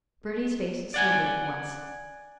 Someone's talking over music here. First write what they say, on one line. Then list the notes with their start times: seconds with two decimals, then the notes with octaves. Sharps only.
Bertie's face sobered at once.
0.94 D5 F#5 G#5